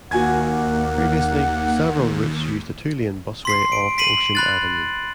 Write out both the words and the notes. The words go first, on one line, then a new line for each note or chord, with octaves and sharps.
Previously, several routes used a two-lane busway off Ocean Avenue.
D#2 A#3 F#4 F#5 G#5 G#6
C6 B6 C7
D7
B6 C7 D#7 F#7
B5 F#6 A6